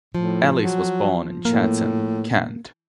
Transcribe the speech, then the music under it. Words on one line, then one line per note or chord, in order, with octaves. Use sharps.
Ellis was born in Chatham, Kent.
A2 F3
F#3
A2 A#3